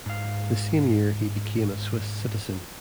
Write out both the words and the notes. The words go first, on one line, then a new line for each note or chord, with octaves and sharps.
The same year he became a Swiss citizen.
G#2 F5